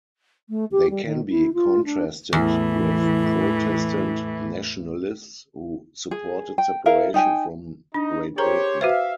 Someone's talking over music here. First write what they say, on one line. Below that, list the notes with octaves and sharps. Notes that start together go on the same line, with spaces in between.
They can be contrasted with Protestant nationalists, who supported separation from Great Britain.
A3
G4
G3
D#3
E4
F4
D4
E2 A2 E3 E4
G#4
G5
E4 A#4 F5
D#4 G5 G#5
D4 D#4
G4 G#4 A#4 C5 C#5 A#5
F#4 B4 C5 E5 F5